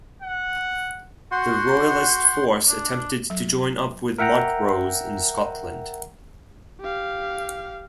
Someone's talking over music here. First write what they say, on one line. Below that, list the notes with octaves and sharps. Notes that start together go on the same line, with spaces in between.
The Royalist force attempted to join up with Montrose in Scotland.
F#5
F#4 F#5 C6 G6
D4
F#3
A#4 E5 F#5 G5 A#5
G4 F5